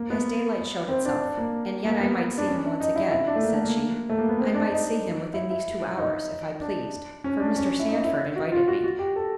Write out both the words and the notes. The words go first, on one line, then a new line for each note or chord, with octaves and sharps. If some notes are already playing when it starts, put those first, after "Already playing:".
As daylight showed itself--"And yet I might see him once again," said she--"I might see him within these two hours, if I pleased, for Mr. Sandford invited me."
Already playing: A#3
B3
C4
D4
D4
A#3
A#3
B3
D4
C#4
D4
D#4
E4
E4
D4
A3
A#3
A3
A#3
A3
A#3
B3
C4
D4
D#4
E4
E4
D#4
D4
C#4
D4
C#4
E4
D#4
E4
F#4
F4
F#4
F#4
G4
A4